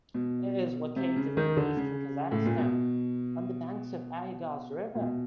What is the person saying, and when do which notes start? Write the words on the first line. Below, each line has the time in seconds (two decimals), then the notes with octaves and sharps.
It is located in eastern Kazakhstan, on the banks of the Ayagoz River.
0.14 B2
0.96 C3
1.16 C#3
1.37 D#3
1.57 D3
1.77 C#3
2.31 A2
2.46 A#2
2.58 B2
4.95 A#2
5.01 B2